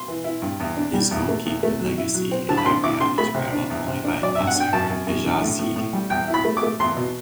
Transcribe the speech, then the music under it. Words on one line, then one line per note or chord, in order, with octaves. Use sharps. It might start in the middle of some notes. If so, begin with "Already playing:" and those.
His goalkeeping legacy in Iran is rivaled only by Nasser Hejazi.
Already playing: C6
E3
E4
G2
E2
D4
G3
E2
A3
E2
A3
F#3
E4
F#3
C4
D3 A5
B5
D3 C6
E4 D6
D3 C6
A3 B5
C3
D4
E2
C3
D4
F#3 D5
G2 E5
F#5
D4
G5
F#2 A5
F#2
F#2
D3
A2
A2
A2
G3
E2 G5
E4
B5
A3
D6
A3
E2 C6
B2